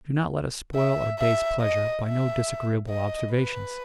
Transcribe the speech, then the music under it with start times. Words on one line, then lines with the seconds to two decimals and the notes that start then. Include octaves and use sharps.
Do not let us spoil our day's pleasure by no disagreeable observations.
0.75 E5
1.19 E5
1.61 D#5
2.04 E5
2.89 D#5
3.33 B4